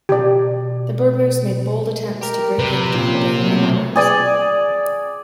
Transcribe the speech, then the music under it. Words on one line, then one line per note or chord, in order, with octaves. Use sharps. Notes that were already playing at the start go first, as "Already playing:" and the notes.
The burglars made bold attempts to break in during daylight hours.
B2 G4 D5
G4 A#4
C3 B4
A#2 C#4
B2 F#3 A3
G#4 D5 G#5